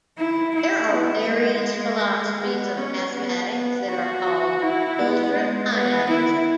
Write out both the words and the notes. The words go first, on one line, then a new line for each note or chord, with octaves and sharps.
There are various philosophies of mathematics that are called ultrafinitism.
E4
E4
B3
G#3
B3
C#4
B3
B3
F#4
E4
B3
G#3
B3
E4